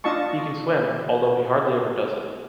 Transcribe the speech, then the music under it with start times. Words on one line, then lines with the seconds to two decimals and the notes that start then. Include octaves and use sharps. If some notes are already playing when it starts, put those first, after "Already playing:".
He can swim, although he hardly ever does it.
0.04 D4 F4 D#5 A5 C#6